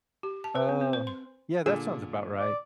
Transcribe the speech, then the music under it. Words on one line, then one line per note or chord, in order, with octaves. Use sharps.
Oh, yeah, that sounds about right.
G4
A5
B4
C4
C4
C5
C6
A#2 D3 G#4 E6
D5